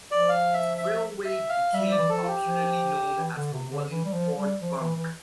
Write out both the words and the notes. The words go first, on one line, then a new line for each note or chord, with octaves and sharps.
The railway became popularly known as the "Wallingford Bunk".
F3 D5
F5
E5
E5
E5
F5
G3 E5
D5
E3
F3 A4
F4
G4
F3
E3
D3
C3
D3
E3
G3
F3
G3
F3
E3
E3